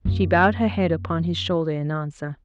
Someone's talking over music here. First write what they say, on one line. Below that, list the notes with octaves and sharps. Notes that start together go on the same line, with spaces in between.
She bowed her head upon his shoulder in answer.
F#2 A#3